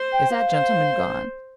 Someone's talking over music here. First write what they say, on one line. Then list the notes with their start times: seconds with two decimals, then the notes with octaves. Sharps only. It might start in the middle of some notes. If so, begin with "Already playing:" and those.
Is that gentleman gone?
Already playing: C5
0.13 G5
0.32 F5
0.52 C5